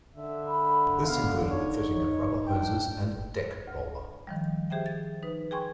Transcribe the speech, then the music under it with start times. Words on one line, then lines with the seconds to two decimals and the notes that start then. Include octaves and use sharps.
This included the fitting of rubber hoses and deck roller.
0.16 D3 E5
0.47 B5
1.06 B3 F5
1.50 D#4 C#5
1.94 C#5
2.47 D4 G5
3.67 D2
4.27 D#3 F3 G3
4.70 G4 G#4 C5 E5 G5
4.86 A6
5.23 D#4 B4
5.51 G#4 G5 G#5 C6 C#6 G#6